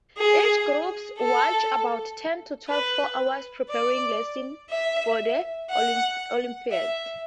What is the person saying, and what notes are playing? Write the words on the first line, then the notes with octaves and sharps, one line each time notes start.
Each group watches about ten to twelve-four hour preparing lessons for the olympiad.
G#4
A4
B4
D5
E5
F#5
E5